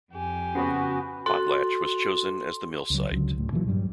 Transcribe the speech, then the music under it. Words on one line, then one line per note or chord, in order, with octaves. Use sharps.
Potlatch was chosen as the mill site.
F2 G4 G#5
C#3 B3 F#4 B5 D#6
F#4 A4 C6
C#2 F#3
C#2 D3 F#3
D2 A2
A#2 D#3 E3 F#3
G2 F#3 G3